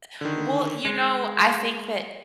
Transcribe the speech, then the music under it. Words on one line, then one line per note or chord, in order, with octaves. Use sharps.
Eh Well, you know, I think that
D3 D#3
G#3 C#7